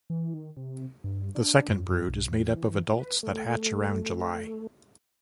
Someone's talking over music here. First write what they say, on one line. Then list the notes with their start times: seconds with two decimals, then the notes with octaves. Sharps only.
The second brood is made up of adults that hatch around July.
0.10 E3
0.34 D#3
0.57 C3
1.04 G2
1.35 D4
1.69 F#2
1.90 F#2
2.08 B1
2.29 E2
2.56 E3
2.98 B4
3.23 A3